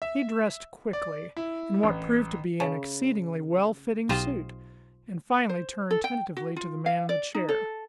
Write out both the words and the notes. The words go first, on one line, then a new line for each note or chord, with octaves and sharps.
He dressed quickly, in what proved to be an exceedingly well-fitting suit; and finally turned tentatively to the man in the chair.
E5
D5
E4
A1
C#3 C#5 G#5 A5
B1 F4 G4 C5 D#5
C5
A4
G5
F#4
F4
F5
D5
D#4
A4